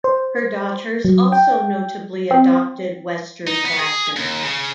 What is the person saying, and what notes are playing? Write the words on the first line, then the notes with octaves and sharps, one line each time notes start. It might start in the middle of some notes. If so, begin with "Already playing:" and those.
Her daughters also notably adopted Western fashion.
C5
F#3
G5
C4
D#4
B3
G#4
D#2
C#3